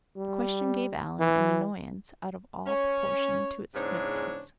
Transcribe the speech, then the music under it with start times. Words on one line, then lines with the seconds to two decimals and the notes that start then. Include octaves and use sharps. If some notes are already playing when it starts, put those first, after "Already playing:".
The question gave Alan an annoyance out of all proportion to its significance.
0.16 G3
1.20 E3
2.67 C#4 C#5
3.74 E2 G#2 C#3 D4 C5 C#5